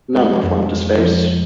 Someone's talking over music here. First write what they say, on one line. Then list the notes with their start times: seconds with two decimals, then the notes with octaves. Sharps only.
None were flown to space.
0.17 G#3
0.43 F2
0.71 G#3
0.99 F3